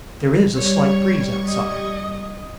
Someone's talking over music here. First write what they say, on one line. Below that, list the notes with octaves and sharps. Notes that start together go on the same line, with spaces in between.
There is a slight breeze outside.
G3 C#5 C#6 G#6
D#5